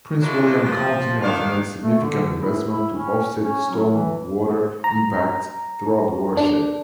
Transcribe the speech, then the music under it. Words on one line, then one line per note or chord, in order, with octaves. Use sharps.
Prince William County has made significant investments to offset stormwater impacts throughout the watershed.
F#3 G#3 A#3 D4 E4 F4
F3
D#3 D4 F5
A3
D3
E4
E4
C#4
C#4
F#3
E3
A#5
D4